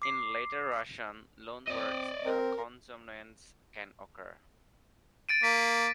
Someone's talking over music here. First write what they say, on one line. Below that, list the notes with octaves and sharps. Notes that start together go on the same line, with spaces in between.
In later Russian loanwords, the consonants can occur.
D6 C7
C4 D5 D#5
C4 A#4
A6 D7 D#7
A#3 B6